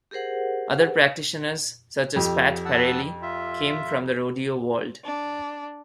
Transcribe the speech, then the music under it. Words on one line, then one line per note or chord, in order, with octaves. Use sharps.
Other practitioners, such as Pat Parelli, came from the rodeo world.
G4 G#4 A#4 C5 F#5
F2 G4
F#5 A5 E6
F4 E5
D4